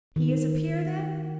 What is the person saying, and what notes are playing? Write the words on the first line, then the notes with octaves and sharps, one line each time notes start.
"He is a peer, then?"
D#3